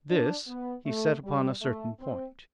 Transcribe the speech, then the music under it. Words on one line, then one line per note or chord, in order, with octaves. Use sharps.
This he set upon a certain point.
D4
B3
A3
G3
A3
C4